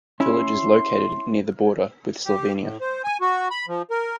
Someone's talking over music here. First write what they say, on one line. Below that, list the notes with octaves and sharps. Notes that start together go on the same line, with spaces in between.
Village is located near the border with Slovenia.
C#4 E4 C6
G4
A2
C5
G#5
F#4
B5
F3
A#4